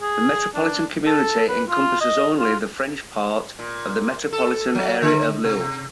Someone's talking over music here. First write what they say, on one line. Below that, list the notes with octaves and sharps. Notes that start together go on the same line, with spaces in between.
The Metropolitan community encompasses only the French part of the metropolitan area of Lille.
G#4
D4
A4
B4
F4
D#5
F4
A#2
A4
F#3
D3
C3